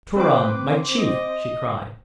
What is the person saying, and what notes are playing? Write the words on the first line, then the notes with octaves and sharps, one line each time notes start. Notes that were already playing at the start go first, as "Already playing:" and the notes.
"Turan, my chief!" she cried.
C4 B4 C5 D6
D#5